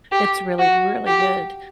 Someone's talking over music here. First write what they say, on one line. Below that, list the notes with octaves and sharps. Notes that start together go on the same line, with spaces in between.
it's really, really good.
G4
F#4
G4